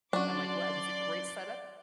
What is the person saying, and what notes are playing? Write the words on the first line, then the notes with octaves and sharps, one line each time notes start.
I'm like, "What this is a great setup."
F#3 C#4 D4 F#4 D5 C6 D6